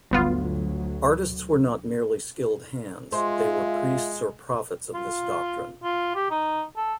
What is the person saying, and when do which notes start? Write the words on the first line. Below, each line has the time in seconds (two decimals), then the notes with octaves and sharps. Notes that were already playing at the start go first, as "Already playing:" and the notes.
Artists were not merely skilled hands; they were priests or prophets of this doctrine.
0.11 G1 D2 F#3 B3 F4
3.12 G#3 F4 C5 E5
4.94 F4
5.84 F4
6.15 G4
6.31 D#4
6.77 A4